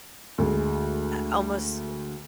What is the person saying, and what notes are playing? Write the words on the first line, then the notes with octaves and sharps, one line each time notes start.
uh, almost,
D2 G#3